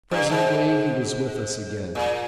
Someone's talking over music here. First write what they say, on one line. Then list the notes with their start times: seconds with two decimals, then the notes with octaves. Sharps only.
Presently he was with us again.
0.11 G2
0.30 G#2
1.95 A#2